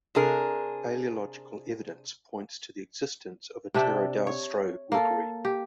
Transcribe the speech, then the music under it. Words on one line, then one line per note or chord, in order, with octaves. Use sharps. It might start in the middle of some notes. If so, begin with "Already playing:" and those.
Paleological evidence points to the existence of a pterodaustro rookery.
C3 D4 G#4 A#4
C3 D4 E5 G5
C#5
A#3 A4
G4